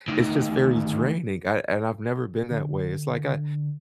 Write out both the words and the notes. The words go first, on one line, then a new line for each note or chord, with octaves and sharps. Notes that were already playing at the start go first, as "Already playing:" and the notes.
it's just very draining. I and I've never been that way. It's like I
D2 D#3
D3